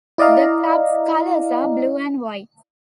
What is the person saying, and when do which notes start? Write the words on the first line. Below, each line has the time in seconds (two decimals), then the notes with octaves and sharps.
The club's colors are blue and white.
0.18 E4 D5 D#5 F5 A#5